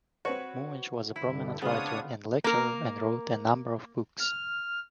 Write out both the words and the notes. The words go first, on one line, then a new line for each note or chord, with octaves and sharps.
Muench was a prominent writer and lecturer and wrote a number of books.
C4 F#4 B4 C#5
G2 D3 E4
C#2 B3 C4 D4 F4 G#4 C#5 D#6
A#3 A#4
F6